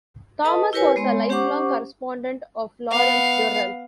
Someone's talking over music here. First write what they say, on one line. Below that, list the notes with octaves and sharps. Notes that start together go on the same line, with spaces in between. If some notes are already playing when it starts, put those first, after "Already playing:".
Thomas was a lifelong correspondent of Lawrence Durrell.
A4 B4 D#5 A5 D#6
E4 G4 A#4 B4 C#5 G#5
G#3 B3 C#5 C6
C#4 G4 C5 F#5 C#6 D6
B3 F5